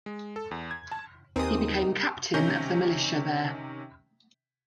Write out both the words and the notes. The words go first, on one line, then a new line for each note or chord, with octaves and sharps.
He became captain of the militia there.
G#3
A4
E2
G#6
A5
D#2 C4 D#4 G4 A#4 G#5 D#6
C3 D#3 C#4 G6 A#6